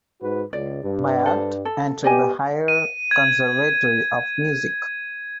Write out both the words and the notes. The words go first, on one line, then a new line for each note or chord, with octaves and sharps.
Bayat entered the Higher Conservatory of Music.
G#2 F#4 B4
C#2 D5
G2
A4 C5
A4
B3 G4 D5 D#5 G#5
D#7
G#6